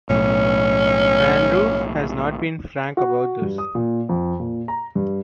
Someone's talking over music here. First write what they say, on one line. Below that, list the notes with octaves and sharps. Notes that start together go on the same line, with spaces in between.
Andrew has not been frank about this.
B1 A2 C#4
F#4
G2
D#6
A#2
F2
A#2
A#5
G2